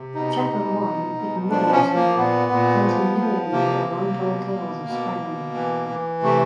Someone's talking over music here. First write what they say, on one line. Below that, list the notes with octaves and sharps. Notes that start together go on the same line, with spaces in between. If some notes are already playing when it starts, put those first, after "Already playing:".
"Chapter One" ignores the continuity of "Untold Tales of Spider-Man".
Already playing: C3
B2 D#4
B2
B2
B2
F3 D4
C#4
F3
A#3
A#2 B3
A#2
F3
F3
C3 A#3
C3
B2
B2
B2
B2
E3
E3
C3 A3